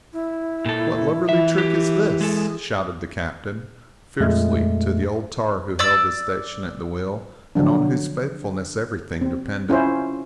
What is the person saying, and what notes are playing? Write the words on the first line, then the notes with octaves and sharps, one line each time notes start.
"What lubberly trick is this?" shouted the captain, fiercely, to the old tar who held his station at the wheel, and on whose faithfulness everything depended.
E4
A#2 A4
E3 E5
G4
G#3 G#4 A4
F2 A#2 G#3 A3
D5 E6
D3 F3 F#3 D4
C4
C#4 E4 F4 C5